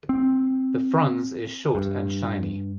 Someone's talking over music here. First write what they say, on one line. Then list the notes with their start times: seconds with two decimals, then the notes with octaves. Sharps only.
The frons is short and shiny.
0.09 C4
1.75 G2